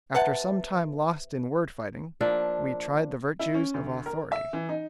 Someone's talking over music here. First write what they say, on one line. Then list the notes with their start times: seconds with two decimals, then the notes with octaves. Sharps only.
After some time lost in word-fighting, we tried the virtues of authority.
0.15 C3 B4 E5 F#5 A5
2.21 F3 A#3 D4 E5
3.39 E4
3.54 C#4
3.74 D2
4.06 A#4
4.32 E5
4.53 E3
4.69 D#4